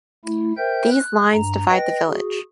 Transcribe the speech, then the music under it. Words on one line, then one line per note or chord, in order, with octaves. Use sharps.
These lines divide the village.
A3 E4
A#4 C5 E5 G5 G6
F#6
G2 A#5
B4 D#5 G5 A#6
F#4 G#4